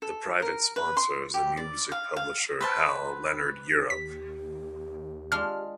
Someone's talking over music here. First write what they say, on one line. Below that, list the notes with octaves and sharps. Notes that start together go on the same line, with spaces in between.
The private sponsor is the music publisher Hal Leonard Europe.
A4
A#4
B4
C6
G4
D5
F5
F5
B4 C5 A5
D#2 G4 B6
G#3 D4 F4 F6